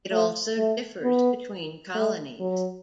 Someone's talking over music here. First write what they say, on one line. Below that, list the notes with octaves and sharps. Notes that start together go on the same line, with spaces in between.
It also differs between colonies.
A3
A3
B3
A3
F#3